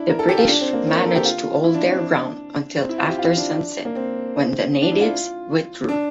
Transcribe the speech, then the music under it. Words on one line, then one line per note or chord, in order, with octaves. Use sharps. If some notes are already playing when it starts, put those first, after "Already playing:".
The British managed to hold their ground until after sunset, when the natives withdrew.
Already playing: D4 E4
A#4
A4
G4
F4
D4
C4
A#3
C4
A#4
A4
G4
F4
E4
D4
C4
D4
C4
E4
F4
G4
F4
D4
A#3
C4
D4
E4
F4
D4